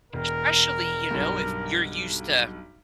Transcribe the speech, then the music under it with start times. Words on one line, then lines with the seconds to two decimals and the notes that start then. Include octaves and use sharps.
Especially, you know, if you're used to,
0.13 E1 A#4
1.11 B1 G2